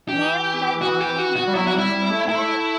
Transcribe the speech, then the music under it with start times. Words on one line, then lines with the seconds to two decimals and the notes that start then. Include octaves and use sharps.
Named by Bulbona an Indian trader.
0.08 E3 G4
0.81 F#4
1.01 G4
1.18 F#4
1.36 F#4
1.46 G3
1.55 F#3 E4
1.67 F#4
1.73 G3 E4
1.91 G3
2.10 A3
2.28 A3 E4